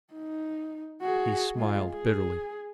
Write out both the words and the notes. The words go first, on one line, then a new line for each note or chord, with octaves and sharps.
He smiled bitterly.
D#4
F#4 G#4
G#3 F4
G#4